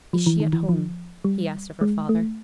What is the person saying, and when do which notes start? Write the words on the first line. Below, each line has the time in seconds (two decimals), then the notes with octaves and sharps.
Is she at home?' he asked of her father.
0.13 F3
0.26 E3
0.40 D#3
0.53 E3
0.69 F3
1.25 G3
1.81 G#3
2.09 A3